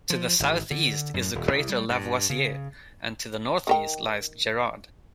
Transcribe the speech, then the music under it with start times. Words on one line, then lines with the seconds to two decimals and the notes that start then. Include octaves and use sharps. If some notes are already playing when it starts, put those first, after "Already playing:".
To the southeast is the crater Lavoisier, and to the northeast lies Gerard.
0.10 F3
0.40 G#1
0.71 D3
1.14 F#2
1.35 D#1
1.51 C2
1.69 G3
1.90 G2
2.30 C#3
3.67 D#3 A#4 G5